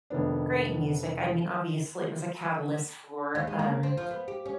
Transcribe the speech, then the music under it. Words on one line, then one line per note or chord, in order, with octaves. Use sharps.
great music, I mean, obviously, it was a catalyst for, um,
F1 D#3 B3 D4
D#2
G#3
A#3
C4
F3
B3
G4
C#4